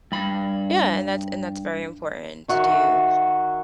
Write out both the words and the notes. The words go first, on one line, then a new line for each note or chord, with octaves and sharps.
Yeah, and that's and that's very important to do.
G2 B5
D#3 F#4 E5 F5